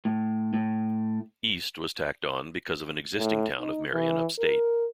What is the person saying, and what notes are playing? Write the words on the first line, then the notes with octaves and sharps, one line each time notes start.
"East" was tacked on because of an existing town of Marion upstate.
A2
A2
A2
D#4
E3
A#4